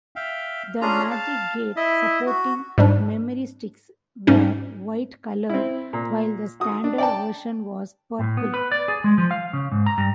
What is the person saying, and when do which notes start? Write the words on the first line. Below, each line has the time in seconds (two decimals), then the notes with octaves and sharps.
The MagicGate supporting memory sticks were white colored, while the standard version was purple.
0.16 E5 F5 G5
0.81 C#4 D4 F4 G#4 A#5
1.11 F5 A5
1.76 E4 D#5 E5
2.26 F#4
2.78 G#2 G3 D4
4.27 G#2 G3 C#4 D#4
5.49 C4 E4
5.93 A#2
6.60 F#4 D#6
6.84 D4
6.98 D5 G5 A5
8.19 A2
8.37 B3
8.54 B4
8.72 D5
8.88 G#4
9.04 G#3
9.18 F3
9.31 F5
9.53 C#3
9.72 G#2
9.86 A#5
9.98 G2